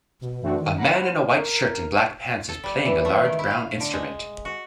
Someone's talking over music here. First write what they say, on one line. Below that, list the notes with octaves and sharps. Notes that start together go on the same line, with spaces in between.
A man in a white shirt and black pants is playing a large brown instrument.
B2
F#2 E3 A3 C4 D4 F#4
D#3
F#5 A#5 B5
C5 F#5 B5 F6
A#4
A4
G3
E3
A3
D#3
E4
F5
D3
G#3
F#4